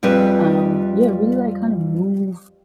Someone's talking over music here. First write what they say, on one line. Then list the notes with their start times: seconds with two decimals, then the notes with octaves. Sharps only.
um, yeah, really, like, kind of move
0.03 F2 G3 G#4 B4 E5